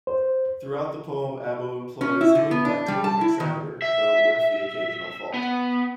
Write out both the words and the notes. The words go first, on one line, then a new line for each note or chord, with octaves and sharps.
Throughout the poem Abbo employs a dactylic hexameter, though with the occasional fault.
C5
C#4
E4
D3
B3
D4
G3
A5
E4
D#3
E5
B3